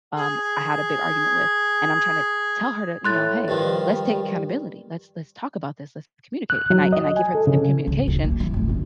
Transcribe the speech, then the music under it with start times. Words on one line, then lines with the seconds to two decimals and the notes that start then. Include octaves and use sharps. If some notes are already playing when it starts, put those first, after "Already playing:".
um, I had a big argument with and I'm tryna tell her to, you know, "Hey, let's take accountability. Let's let's talk about this. Let's communicate." And I and I give her the same communication.
0.17 G#4 G#5
3.04 A2 C6 F#6 A6
3.48 G2 D#3 F3 G3
6.50 F#6
6.70 F#3
6.93 D#5
7.17 G#5
7.35 A4
7.47 C#3
7.87 G#1 C#2
8.08 D1
8.24 D#1 A#3
8.40 E3
8.54 C#2 A3
8.68 A#1 D#2